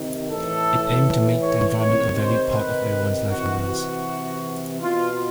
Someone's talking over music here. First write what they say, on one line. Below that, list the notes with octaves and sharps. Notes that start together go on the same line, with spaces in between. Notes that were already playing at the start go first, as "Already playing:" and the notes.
It aimed to 'make the environment a valued part of everyone's life in Wales'.
Already playing: C3 D#3
A2 E3 A4
C#5
C3 D#3 C#5
C5
B4
C3 E3 F#4
F#4
B2 F4